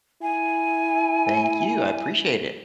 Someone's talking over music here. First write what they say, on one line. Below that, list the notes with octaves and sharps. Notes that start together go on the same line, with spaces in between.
Thank you, I appreciate it.
E4 G#5